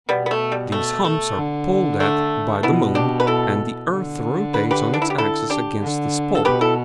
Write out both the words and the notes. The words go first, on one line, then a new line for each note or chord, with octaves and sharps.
These humps are pulled at by the moon, and the earth rotates on its axis against this pull.
B2 G3 B3
B3
A3
G3
A3
A3
D3
A3 D4
B2 B3 E4
D4 G4
B4
E4 A4
D3
B4
G4 B4
D4
E4
G4
E4 A4
D4 G4
D3
A4
B2 G4 B4
E4 A4